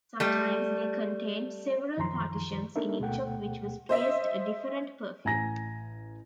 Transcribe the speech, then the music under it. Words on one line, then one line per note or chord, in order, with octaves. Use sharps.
Sometimes they contained several partitions, in each of which was placed a different perfume.
G3 A3
C2 F#2 D#3 F3 A#5 C6
A#3 D4 D#4 A4 A#4 E5
D2 B2 A3 A4 F#5 G5
C5 D#5 E5
A1 G#5 A#5 A#6